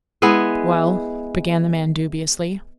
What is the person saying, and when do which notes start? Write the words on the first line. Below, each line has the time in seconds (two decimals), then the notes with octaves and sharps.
"Well--" began the man dubiously.
0.22 G#3 B3 E4 G#4